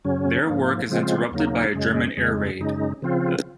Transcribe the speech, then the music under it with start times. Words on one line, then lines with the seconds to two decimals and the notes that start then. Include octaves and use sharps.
Their work is interrupted by a German air raid.
0.05 F#2 C#3 F#3 C#4
0.46 G#2 F3 A#3
0.89 C#3 F3 G#3 C4 F4
1.31 D#2 C#3 F#3 A#3 D#4
1.74 F#2 C#3 G#3
2.17 F2 C#3 G#3
2.60 F#2 C#3 G#3 D#4
3.02 C#3 F3 C4 F4